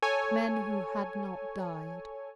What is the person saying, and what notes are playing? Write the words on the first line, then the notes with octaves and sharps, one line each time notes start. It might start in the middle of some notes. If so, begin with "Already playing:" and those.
Men who had not died!
A4 C#5 G#5